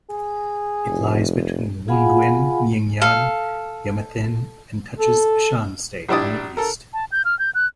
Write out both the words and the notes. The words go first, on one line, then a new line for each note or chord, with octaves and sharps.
It lies between Wundwin, Myingyan, Yamethin, and touches Shan State on the east.
G#4
F1
F4 G#4 F5 F#5 G#5 B5
A4 F5
A4
A#1 G3 D4 E4 D5 D#6
A4 A#4
A5
G6
F6
G6
F#6